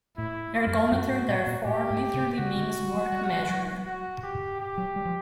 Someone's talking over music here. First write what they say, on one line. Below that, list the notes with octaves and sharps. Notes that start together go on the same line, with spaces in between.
"Ergometer", therefore, literally means "work measurer".
A2 E4
F4
F#2
F#2 F#4
G#2
A#2
A#2
A2 G4
G#2
C3
C#3 F#4
D3
F#3
G3
G3
F#3
F#4
G4
G4
F#3
G3
F3